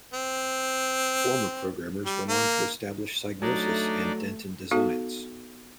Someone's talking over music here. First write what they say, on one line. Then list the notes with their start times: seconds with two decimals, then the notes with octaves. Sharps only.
Former programmers went on to establish Psygnosis and Denton Designs.
0.14 C4
2.06 G3
2.28 A#3
3.42 F#3 A3 D4 D#4 D5
4.71 B3 D#4 F#4 A4